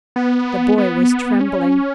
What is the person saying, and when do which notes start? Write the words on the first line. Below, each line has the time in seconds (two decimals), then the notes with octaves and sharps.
The boy was trembling.
0.16 B3
0.78 B3
1.41 C#4